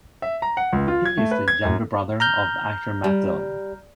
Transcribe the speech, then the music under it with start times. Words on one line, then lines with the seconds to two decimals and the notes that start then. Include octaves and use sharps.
He is the younger brother of actor Matt Dillon.
0.22 E5
0.42 A#5
0.57 F#5
0.73 C#2
0.88 F4
1.06 G#6
1.17 A3
1.31 B4
1.48 G#6
1.65 F#2
2.20 A#5 F6 G6
3.04 G3